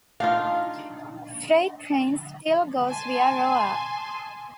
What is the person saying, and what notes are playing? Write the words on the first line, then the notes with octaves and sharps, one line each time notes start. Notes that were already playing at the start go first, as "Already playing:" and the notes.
Freight trains still goes via Roa.
D4 D#4 F4 F5
G#5 A5 C6